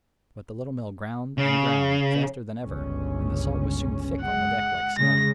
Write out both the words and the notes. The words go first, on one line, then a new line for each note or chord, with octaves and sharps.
But the Little Mill ground, and ground, faster than ever, and the salt was soon thick on the deck like snow.
C#3
G1 C#2 C#4
G#3 F#5
C#3 G#3 A#6